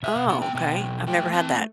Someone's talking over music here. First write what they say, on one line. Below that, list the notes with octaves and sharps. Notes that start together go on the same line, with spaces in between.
Oh, okay, I've never had that.
B2 E5
F5
B3 F#5
G5
B2 G5
F#3
A3 G5
C4 A5